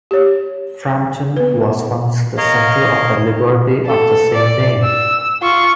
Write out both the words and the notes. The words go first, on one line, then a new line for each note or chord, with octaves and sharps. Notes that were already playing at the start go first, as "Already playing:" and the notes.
Frampton was once the centre of a Liberty of the same name.
G4 C#5
B3 B4
A#4 C#5 D#5 F5
A4
D5
E6
F4 C#6